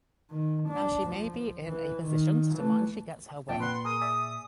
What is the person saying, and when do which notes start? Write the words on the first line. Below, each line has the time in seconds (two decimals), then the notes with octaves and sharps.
Now she may be in a position to demand she gets her way.
0.30 D#3
0.68 D4
1.07 F3
1.66 E3
2.04 D#3
2.54 E3 A3
3.49 F2 A#2 D4 G5 A5
3.60 B4 F#5 C6
3.85 G#4 A#4 D#6
4.01 G#4 D5 E5